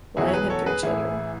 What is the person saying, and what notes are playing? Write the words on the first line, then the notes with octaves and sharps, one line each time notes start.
Lion had three children.
E2 B2 F#3 E4 G#4
C#5
G#4 B4
A4 C#5
G#4 B4
A1 A2 E3 E4 G#4